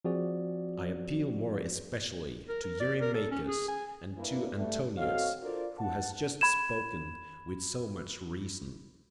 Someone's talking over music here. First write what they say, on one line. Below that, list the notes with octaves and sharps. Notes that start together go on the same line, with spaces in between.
I appeal more especially to Eurymachus, and to Antinous who has just spoken with so much reason.
F3 C4 F#4 G#4 D5
A#4
A#4
D5
A#4
A4
C#4
G#4
G#5
A#3 D4 E4 B4
G3 A3
C4 F#4 A4 C#5 D#5 F5
D4 F4 A4 A#4 C5 D5
F#5 A5
B5 G#6 E7